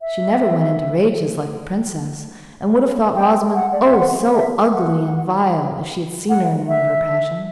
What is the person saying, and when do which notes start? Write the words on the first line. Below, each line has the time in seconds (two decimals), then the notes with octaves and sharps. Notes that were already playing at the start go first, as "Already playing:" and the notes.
She never went into rages like the princess, and would have thought Rosamond--oh, so ugly and vile! if she had seen her in one of her passions.
0.01 E5
3.15 G5
3.55 F#5
3.72 D5
3.83 E5
3.93 F#5
4.34 E5
4.73 F#5
6.29 F#5
6.68 E5